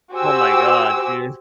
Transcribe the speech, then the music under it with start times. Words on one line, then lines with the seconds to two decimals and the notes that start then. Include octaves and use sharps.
Oh my god, dude.
0.14 F#4 G4 C5 G#5 D6 E6